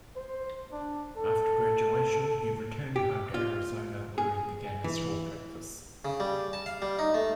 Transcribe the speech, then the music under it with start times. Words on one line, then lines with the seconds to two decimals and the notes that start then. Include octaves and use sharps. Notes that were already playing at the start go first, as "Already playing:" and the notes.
After graduation, he returned home to Arizona, where he began his law practice.
0.16 C5
0.72 D4
1.17 A4
2.96 G4
3.34 F4
4.18 G#4
4.84 E3
6.05 C#3
6.20 G3
6.53 A5
6.66 F5
6.82 G3
6.99 D#4
7.14 A3